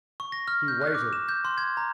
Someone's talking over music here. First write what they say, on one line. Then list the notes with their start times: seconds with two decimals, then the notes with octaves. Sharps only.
He waited.
0.20 C#6
0.32 A#6
0.48 F6
0.68 G6
0.81 F#6
0.94 D6
1.13 E7
1.29 G6
1.45 C6
1.58 G#6
1.77 A#5